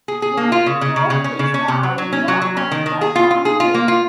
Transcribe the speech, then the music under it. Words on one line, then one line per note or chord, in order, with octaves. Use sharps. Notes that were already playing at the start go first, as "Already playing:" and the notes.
One trope is the idea of the common enemy.
G#4
G#4
A#3
F4
C#3
C#3
C#3
C#3
C#4
C#3
C#4
C3
F#3
F#3
C#4
F#3
F#3
C#4
D#3
D#3
G#4
F4
F4
G#4
F4
A#3
F4